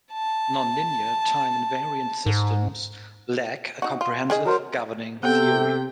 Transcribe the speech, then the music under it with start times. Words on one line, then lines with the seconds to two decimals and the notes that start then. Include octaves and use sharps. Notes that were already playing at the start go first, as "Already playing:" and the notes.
Nonlinear time-invariant systems lack a comprehensive, governing theory.
0.13 A5
2.26 G#2
3.82 D#4 F#4
4.01 F4
4.30 D#3 G#4 D#5
4.45 F#3 A#4 C5
5.23 C3 B3 A4 G5